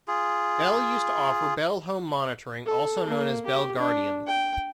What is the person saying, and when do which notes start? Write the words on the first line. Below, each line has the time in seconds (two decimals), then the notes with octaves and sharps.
Bell used to offer Bell Home Monitoring, also known as Bell Gardium.
0.08 F4 G#4
2.66 A4
3.07 A#3
3.46 G4
3.79 D4
4.27 G5